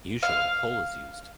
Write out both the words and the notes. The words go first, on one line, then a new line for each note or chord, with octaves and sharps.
Usually, coal is used.
F5